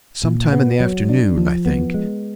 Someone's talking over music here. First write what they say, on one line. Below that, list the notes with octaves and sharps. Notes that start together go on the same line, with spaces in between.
Some time in the afternoon, I think.
A#2
B3
F#3
D4
F3
B3
G#3